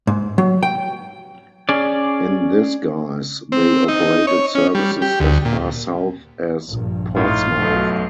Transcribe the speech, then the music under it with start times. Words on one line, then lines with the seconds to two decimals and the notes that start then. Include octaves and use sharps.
In this guise they operated services as far south as Portsmouth.
0.07 G#2
0.38 F#3
0.63 G5
1.69 C#4 G#4 D5
3.52 C4
3.88 D#4
4.27 C#5
4.55 C#4
4.75 G3
5.02 G4
5.20 D2
5.45 A#2
6.68 A#1 G2
7.16 A2 D#4 F4
7.60 B1 B2 A3